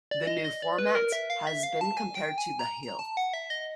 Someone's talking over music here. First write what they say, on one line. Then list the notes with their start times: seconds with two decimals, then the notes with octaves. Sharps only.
The new format has been compared to "The Hill".
0.11 D5
0.27 D#5
0.44 D#5
0.62 D5
0.78 B4
0.95 A#4
1.12 E5
1.30 F5
1.47 E5
1.63 F5
1.81 A5
1.97 G#5
2.15 G5
2.38 G#5
2.59 A#5
2.83 A#5
2.99 A5
3.17 F#5
3.34 E5
3.50 D#5